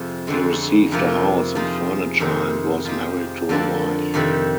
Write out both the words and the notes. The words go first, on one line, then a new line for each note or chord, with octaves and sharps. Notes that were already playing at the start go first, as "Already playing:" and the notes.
He received a house and furniture and was married to a wife.
Already playing: F2 C3 F3 G#3
F2 D3 G#3
F2 C3 F3 A#3
F3 G#3 D#4
F2 C3 D#3 G#3 D#4
F3 G#3 D#4 G4
F2 D3 F3 A#3 D4
F2 C3 D#3 G3